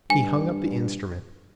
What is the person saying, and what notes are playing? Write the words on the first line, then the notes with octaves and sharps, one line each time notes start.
He hung up the instrument.
G2 G#5